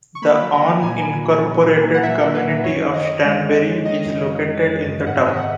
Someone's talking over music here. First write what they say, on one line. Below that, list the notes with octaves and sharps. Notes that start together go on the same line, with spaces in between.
The unincorporated community of Stanberry is located in the town.
C#6
A#3 B5
F#3
A#5
A#3
A#2 G#5
A#2
A#2
F#3
A#2
A#3
F#5
A#2 E5
A#3
B4
A#2
F#2 C#5
D#3
D#5
D#3
G#3
G#3
G#3
D#3 D#5
F#2
F#2
F#2
F#2
F#2
G#2 F#5
E5
D#5
D#3 E5
F#5